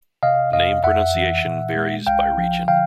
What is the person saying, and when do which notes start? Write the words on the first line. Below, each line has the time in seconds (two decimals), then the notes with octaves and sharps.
Name pronunciation varies by region.
0.23 C3 D#5 F5
0.53 F2 D#5 F5
0.84 F2 E5 F#5
1.15 E3
1.46 A#2
1.76 G#3
2.07 B1 F5 G5
2.38 F3
2.68 D3 F5 G5